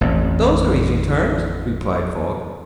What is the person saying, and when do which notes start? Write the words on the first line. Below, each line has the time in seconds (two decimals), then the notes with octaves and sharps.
"Those are easy terms," replied Falk.
0.01 A1 F2